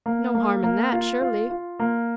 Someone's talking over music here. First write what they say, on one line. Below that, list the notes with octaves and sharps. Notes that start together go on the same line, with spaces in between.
"No harm in that, surely."
A#3
A#3
A#3
F4
F4
F4
A#3